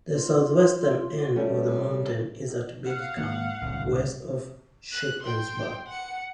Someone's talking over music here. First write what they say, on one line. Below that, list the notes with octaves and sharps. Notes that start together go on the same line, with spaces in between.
The southwestern end of the mountain is at Big Gap, west of Shippensburg.
F4
G3 A3 C#4
F5 F#5
G#2 D#3 A#3
D1 C2 D3
F#6
G5 C6
F#5 C#7